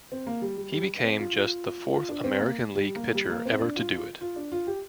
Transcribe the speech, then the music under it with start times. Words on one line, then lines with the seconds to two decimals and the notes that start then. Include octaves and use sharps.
He became just the fourth American League pitcher ever to do it.
0.12 C4
0.27 A#3
0.42 G3
0.58 G3
0.72 G3
1.03 C4
1.18 F4
1.33 F4
1.94 F4
2.09 D4
2.24 C4
2.39 A#3
2.75 G3
2.95 A#3
3.15 G3
3.30 A#3
3.46 C4
3.61 D4
3.76 F4
3.91 F4
4.21 F4
4.36 D4
4.52 F4
4.67 G4